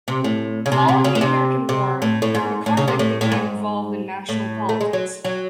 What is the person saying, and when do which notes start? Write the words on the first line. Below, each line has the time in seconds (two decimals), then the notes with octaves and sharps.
Following the American war Macarmick became involved in national politics.
0.08 C3
0.24 A2
0.66 C#3
0.72 C3
0.88 C3
1.04 C#3
1.15 A2
1.21 C3
1.69 C3
2.02 A2
2.22 A2
2.35 G#2
2.66 A2
2.77 C#3
2.88 C3
2.99 A2
3.21 A2
3.32 G#2
4.29 A2
4.69 A3
4.81 G#3
4.93 F#3
5.25 F#3